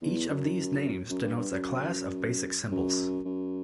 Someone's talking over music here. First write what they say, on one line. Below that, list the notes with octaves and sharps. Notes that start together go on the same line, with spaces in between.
Each of these names denotes a class of basic symbols.
E2
F#2
F#2
G2
G2
F#2
F#2
F#2